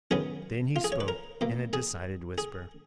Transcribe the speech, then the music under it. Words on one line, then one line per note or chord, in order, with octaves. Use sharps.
Then he spoke in a decided whisper.
F#2 D#3 F#3 B3 G#4
F4
G#4
C#5
B4
A#4
B2 A#3
G#4
G#4